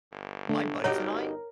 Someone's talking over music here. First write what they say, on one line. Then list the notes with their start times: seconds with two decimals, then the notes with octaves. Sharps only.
My buddies and I,
0.12 G1
0.49 D3 A3
0.84 D#4 F#4 G4 A#4 C#5